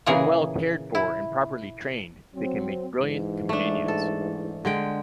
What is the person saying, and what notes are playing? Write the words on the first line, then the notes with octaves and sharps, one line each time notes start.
When well cared for and properly trained they can make brilliant companions.
A#2 C#3 E3 G#4 A#4
E4
F#3 C4
G#2 E3
A3 D4
A4
D3 G#3 G5